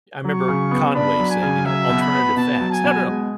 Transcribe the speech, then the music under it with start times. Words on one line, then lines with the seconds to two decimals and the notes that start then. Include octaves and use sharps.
I remember Conway saying, you know, "alternative facts." No, no, no.
0.24 F#3 C#6
0.48 C#3
0.71 B3
0.95 D4 B5
1.19 F#3
1.30 G#5
1.42 C#3
1.65 F#3 E5
1.89 B2
2.01 B5
2.13 B3
2.36 B2 A5
2.60 F#3
2.72 G#5
2.84 B2
3.07 G#3